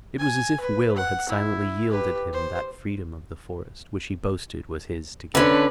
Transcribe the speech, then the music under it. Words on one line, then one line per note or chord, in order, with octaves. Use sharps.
It was as if Will had silently yielded him that freedom of the forest which he boasted was his to give.
G#5
B4
F#5
E4
G4 B4
C5
D3 C#4 D4 B4